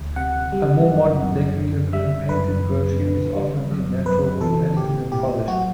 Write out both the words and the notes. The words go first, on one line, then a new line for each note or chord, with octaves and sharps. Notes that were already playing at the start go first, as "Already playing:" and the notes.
A more modern, decorative unpainted version is often in natural wood and even polished.
Already playing: D2
C3 F#5
G3
F#2
F#2
D3
G3 E5
F#2 B4
F#2
D3
G3
F#2
F#2 B4
E3 A4
A2 G4
A2 G4
F#3 F#4